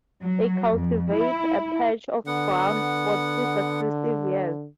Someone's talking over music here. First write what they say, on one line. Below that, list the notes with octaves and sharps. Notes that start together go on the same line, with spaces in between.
They cultivate a patch of ground for two successive years.
F#3
F2
E4
D3 B3 F#5